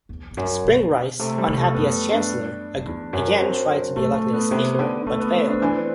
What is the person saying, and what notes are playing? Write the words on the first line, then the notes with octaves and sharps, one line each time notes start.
Spring Rice, unhappy as Chancellor, again tried to be elected as Speaker, but failed.
E2
E2
F#2
B2
C3 A3
G3
C3
A3
F#2 B3
D4
F#2
E2
F#2
C4
A2 A3
A3
B3
C3 B3
D3
D3 A3
B3
C4
D4
D3
E3 D4
C4